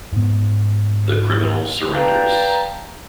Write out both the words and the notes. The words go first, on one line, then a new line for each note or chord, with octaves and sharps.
The criminal surrenders.
G#2 B3
B4 D5 F5 G5 A5 A#5